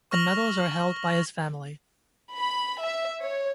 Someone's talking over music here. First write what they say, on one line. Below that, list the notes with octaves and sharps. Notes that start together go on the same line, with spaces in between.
The medals are held by his family.
C#6 F6 A#6 F7 F#7
B5
E5
C#5